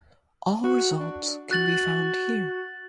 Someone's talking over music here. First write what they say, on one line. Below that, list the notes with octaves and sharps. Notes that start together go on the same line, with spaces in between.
All results can be found here.
F#4
D4
F#4 F#6 A6 F#7